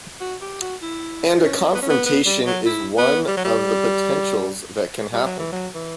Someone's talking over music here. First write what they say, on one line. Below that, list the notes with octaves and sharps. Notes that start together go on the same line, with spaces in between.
And a confrontation is one of the potentials that can happen.
F#4
G4
F#4
E4
C#4
B3
C#4
B3
B3
G3
F#3
E4
B3
G3
F#3
G3
G3
F#3
E3
F#3
E3